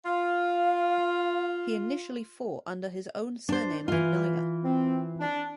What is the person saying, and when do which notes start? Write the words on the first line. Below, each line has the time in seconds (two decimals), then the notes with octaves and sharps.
He initially fought under his own surname of Naya.
0.05 F4 F5
3.49 D4 C5
3.88 E3 F4
4.63 C4
5.20 D4